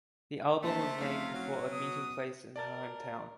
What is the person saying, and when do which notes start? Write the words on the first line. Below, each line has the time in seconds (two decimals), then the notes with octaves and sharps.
The album was named for a meeting place in her home town.
0.63 A#1 C3 A3 C5 A5
1.00 F1 F5
1.33 F#3 C#4
1.71 B2 D#6
2.56 A#4 D5 A5 A6